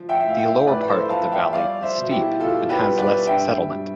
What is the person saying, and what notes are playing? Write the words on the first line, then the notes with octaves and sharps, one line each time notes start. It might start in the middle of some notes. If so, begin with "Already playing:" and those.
The lower part of the valley is steep and has less settlement.
Already playing: F3
E5 G5
A2 E5
F5
E5 G5
A2 B4 D5
A4 C5
F3 F5 A5
E5 G5
G3 D5 F5
C5 E5
B2
E4 G4
B2 F4 A4
G4 B4
G3
B4 D5
G2 E5 G5
G3